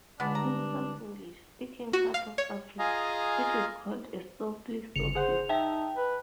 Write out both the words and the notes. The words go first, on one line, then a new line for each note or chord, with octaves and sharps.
In some English-speaking parts of Africa, it is called a "softly-softly".
C#2 D3 G#3 B3 D4
G2 A#5
F#4
F5
C#5
F4 G#4 D#5 F5 G#5 A#5
G1 C#3 C#7 F7
G#4 C5 F#5
D#4 E5 G5 A5
B4